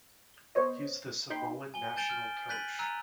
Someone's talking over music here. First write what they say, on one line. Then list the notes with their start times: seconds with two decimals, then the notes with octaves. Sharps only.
He is the Samoan national coach.
0.55 B3 C5 C#5 D#5
1.30 D#4 G5 B5 C6
1.74 G#5 G7
1.96 G#5 A5 G6 A6 D7 G7
2.10 F6
2.49 F#6 G6 A6 B6 D#7 F#7
2.79 A#5 E6 F#6 D#7